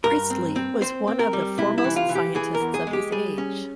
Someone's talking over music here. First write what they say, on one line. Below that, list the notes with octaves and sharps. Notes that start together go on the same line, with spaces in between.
Priestley was one of the foremost scientists of his age.
G2 A#4
C4
C4
C4 C5
C4
A#4
G3
C3 E4
E4
E3
F4
E3
G4
E3 G#4
A#4
E2
G#4
G#3
G4
G3 G#4
C#4